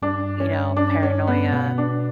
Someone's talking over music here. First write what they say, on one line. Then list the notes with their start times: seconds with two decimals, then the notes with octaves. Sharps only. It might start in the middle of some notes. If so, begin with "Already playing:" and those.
you know, paranoia,
0.02 G2 D4
0.40 C#4
0.77 D4
1.03 C#4
1.27 B3
1.52 B2 B3
1.78 D4